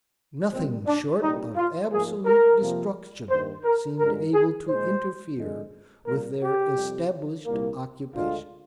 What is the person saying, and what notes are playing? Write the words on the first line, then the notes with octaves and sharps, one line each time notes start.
Nothing short of absolute destruction seemed able to interfere with their established occupations.
A#2 G3 A#3 C4
D4
C2 A#2 G3 D#4
F4
G#2 F3 A#3 G#4
A#4
F2 C3 F3 A#3
G2 D#3 A#3 C5
A#4
G2 D3 F3 G#3 A#4
G#4
A#2 G#3 C5
F2 D3 G#3
A#2 G3 A#3 A#4
G4
F2 C3 G3
C2 A#2 G3 A#3
D2 D3 G#3 F4